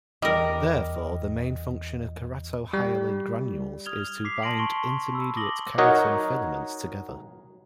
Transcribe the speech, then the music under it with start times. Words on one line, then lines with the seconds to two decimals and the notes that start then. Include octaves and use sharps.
Therefore, the main function of keratohyalin granules is to bind intermediate keratin filaments together.
0.22 E2 G3 A#4 D#5
2.73 G3
3.86 D#6 F6 G#6 F7 G7
4.24 D6 B6 C7 F7
4.42 A5 C6 A#6 D7 F#7
4.59 A5 C6 C#6 D7 G7
5.13 B5 E6
5.36 D6 D#6 A#6 F#7 G7
5.78 F#3 D#4 A#4 C#5 D#5 F#5